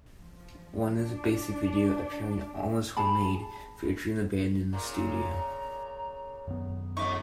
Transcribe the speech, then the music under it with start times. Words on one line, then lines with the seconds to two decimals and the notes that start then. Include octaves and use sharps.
One is a basic video, appearing almost homemade, featuring the band in the studio.
0.19 F3
0.98 D4
2.97 G#4 A5 B5
4.73 A#2 C#3 A#5
6.47 F#2 D#3 B3
6.97 F2 C#3 D#4 E5 C#6 D6